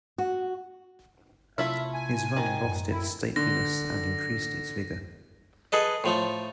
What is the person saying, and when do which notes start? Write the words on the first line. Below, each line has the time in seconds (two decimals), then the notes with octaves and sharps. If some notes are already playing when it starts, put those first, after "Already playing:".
His run lost its stateliness and increased its vigour.
0.18 F#4
1.58 C3 A3 E4 F4 E5
1.94 G#5
2.36 D#3
2.65 F#2
2.91 F#2 E4
3.36 D3 A#6
5.72 G#4 A4 B4 D#5
6.04 A2 F3 A3